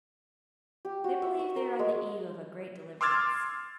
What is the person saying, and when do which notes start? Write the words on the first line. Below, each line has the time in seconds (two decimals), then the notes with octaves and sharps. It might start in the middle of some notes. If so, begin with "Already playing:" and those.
They believe they are on the eve of a great deliverance.
0.85 G4
1.04 F#4
1.22 E5
1.39 C#6
1.56 A#4
1.79 G#3
3.01 C6 D6 E6 F6 G#6 A6